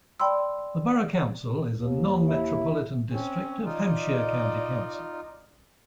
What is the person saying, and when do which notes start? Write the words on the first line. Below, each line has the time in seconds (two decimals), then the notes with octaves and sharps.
The borough council is a Non-metropolitan district of Hampshire County Council.
0.20 D5 G5 B5 C6 E6
1.72 D#2
2.28 E4
3.13 C4 C#4
3.65 D#4 F4 D5 D#5